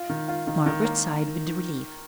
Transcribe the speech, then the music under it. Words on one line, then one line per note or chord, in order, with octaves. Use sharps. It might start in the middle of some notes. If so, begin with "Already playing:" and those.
Margaret sighed with relief.
Already playing: F4
D#3
F4
D#3
D#3
A#3